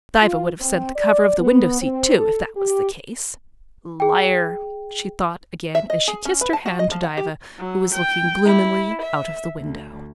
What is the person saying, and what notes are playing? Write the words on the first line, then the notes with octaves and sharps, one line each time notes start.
"Diva would have sent the cover of the window-seat too, if that was the case. Liar," she thought again as she kissed her hand to Diva, who was looking gloomily out of the window.
F4
C4
D5
B3
C4
A4
G4
G#4 G5
E5
D#5
G#4
C#4
B4
A5
F#4
D#5
F3
F#5
G4
F#3
G5
E4
E5
D2